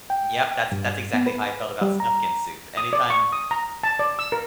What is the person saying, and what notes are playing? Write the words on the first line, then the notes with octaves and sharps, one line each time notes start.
Yep. That's that's exactly how I felt about Snufkin soup. Anytime
G5
G2
B3
B4
G3
A#5
D#6
D5
C#6
D#6
A#5
A5
D5
E6
A#4